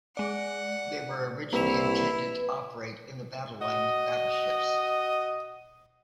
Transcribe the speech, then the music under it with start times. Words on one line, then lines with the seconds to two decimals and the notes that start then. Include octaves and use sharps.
They were originally intended to operate in the battle line with battleships.
0.17 G#3 D5 F#5
1.53 C2 A#3 E4 B4 E6 F7
3.61 F#4 D#5